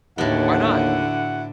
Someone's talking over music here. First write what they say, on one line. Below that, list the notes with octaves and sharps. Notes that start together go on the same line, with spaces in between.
Why not?
D#2 A2 D3 B3 E4 F#4 F#5